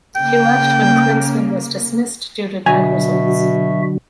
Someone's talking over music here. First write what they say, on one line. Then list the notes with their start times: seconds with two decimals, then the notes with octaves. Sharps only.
He left when Klinsmann was dismissed due to bad results.
0.16 C#3 A#3 G5
2.66 B2 D3 F#3 F#4 E5 G#5